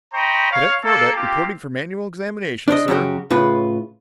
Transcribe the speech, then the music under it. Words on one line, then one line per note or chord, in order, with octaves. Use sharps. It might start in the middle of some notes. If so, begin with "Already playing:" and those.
"Cadet Corbett reporting for manual examination, sir!"
C5 D#5 G5 A#5 B5 C#6
C#5 F5
A#3 A4
A#3 C4 F4 G4
D4 C5 C#5 D#5
F#2 C#3 D#4 F#4 G4
A2 C#3 F4 B4